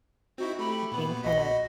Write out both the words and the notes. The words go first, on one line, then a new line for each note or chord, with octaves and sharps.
being kinda
C4 D#4 E4 F#4
A3 G4 B5
A#2 B3
A#1 F#4 D#5 B5
D#5